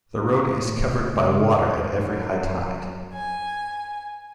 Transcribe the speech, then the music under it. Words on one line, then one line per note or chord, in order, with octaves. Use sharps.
The road is covered by water at every high tide.
A#3
A2
C#3 G#3
F#2
G#5